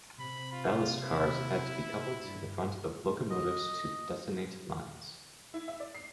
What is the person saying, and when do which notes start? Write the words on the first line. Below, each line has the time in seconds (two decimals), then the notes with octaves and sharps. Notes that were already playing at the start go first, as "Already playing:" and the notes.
Ballast cars had to be coupled to the front of locomotives to detonate mines.
0.20 C3 B5
0.52 F4
1.03 E4
2.19 G2
3.30 D#5
5.54 E4
5.68 E5
5.80 D5
5.95 C7